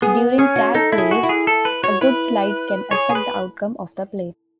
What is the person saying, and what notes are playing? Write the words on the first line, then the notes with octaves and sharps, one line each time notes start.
During tag plays, a good slide can affect the outcome of the play.
B3 G#4
C#4 G#4
F#4
D#4 A4
E4
G#4
F#4
E4
G#4
A4
B4
F#4 C#5
E4 B4
G#4 C#5
G#4
B4